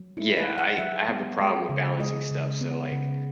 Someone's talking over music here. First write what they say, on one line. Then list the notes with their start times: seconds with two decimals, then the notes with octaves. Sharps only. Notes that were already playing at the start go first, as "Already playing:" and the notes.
Yeah, I I have a problem with balancing stuff, so, like,
Already playing: F#3
0.17 E4
0.37 B4
0.48 E4
0.58 F#5
0.78 F#3 E5
1.09 B3
1.39 G#3
1.69 C#3
2.00 G#3 D#5
2.31 C#3
2.61 B3
2.92 C#3